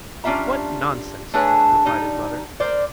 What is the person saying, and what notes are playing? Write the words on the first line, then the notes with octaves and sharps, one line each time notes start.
"What nonsense," replied his mother.
G3 C#4 D4 F4 E5 A#5
A3 D4 G#4 B4 C#5
G3 D#4
A#4 C5 D5